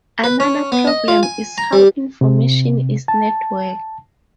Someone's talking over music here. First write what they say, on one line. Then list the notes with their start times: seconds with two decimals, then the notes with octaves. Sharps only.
Another problem is how information is networked.
0.24 B4
0.40 C#4
0.72 B3
0.87 D#5
1.08 F4
1.23 G#5
1.58 A#5
1.73 G3
2.21 C3
3.08 A5